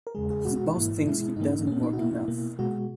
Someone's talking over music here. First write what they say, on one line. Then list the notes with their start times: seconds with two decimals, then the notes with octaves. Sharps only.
His boss thinks he doesn't work enough.
0.07 A#4
0.15 E2 C#3 G#3 G#4
0.30 G#4
0.45 B2 G#3 F#4
0.56 F#4
0.66 E4
0.76 G#2 E3 A#3
1.06 B2 G#3 E4
1.36 G#2 E3 A#3 D#4
1.67 A#2 A#3 C#4
1.83 D#4
1.93 F#4
1.97 B2 A#3 E4
2.28 B2 A#3
2.59 B2 G#3 F#4